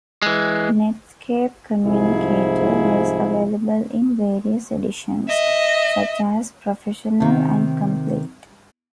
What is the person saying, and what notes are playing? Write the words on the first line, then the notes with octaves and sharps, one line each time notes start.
Netscape Communicator was available in various editions, such as "Professional" and "Complete".
E3 G#3
C2 G#2 F3 E4 G#4
D#5 E5
C3 D#3